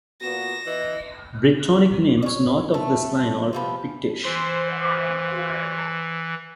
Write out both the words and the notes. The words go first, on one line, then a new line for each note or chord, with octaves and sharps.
Brittonic names north of this line are Pictish.
A#2 B3 F#4 A#6 E7
E3 E4 D#5
C#5 D5
A3
C3 F3 B3
E3 C5